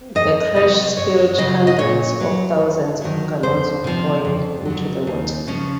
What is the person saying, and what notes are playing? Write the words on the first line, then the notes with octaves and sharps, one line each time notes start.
The crash spilled hundreds of thousands of gallons of oil into the water.
F2 D#5
C3 F#3 D#5
F#2 C#5
C#3 F#3 D#5
D#5
A#2 C#5
F#3
F2
D#3 F#3
F2 C5
C3 F3
F2
C#3 F#3
D#2
C#3 F3 C#4